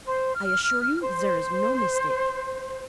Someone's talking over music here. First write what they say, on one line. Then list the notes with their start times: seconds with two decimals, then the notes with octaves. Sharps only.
I assure you there is no mistake. . . .
0.05 C5
0.34 F6
1.00 C5